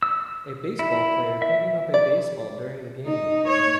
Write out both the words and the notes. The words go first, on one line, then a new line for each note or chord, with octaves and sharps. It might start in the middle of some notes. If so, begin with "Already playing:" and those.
A baseball player picking up a baseball during the game.
E6
E4
E5
D5
D#4
C#5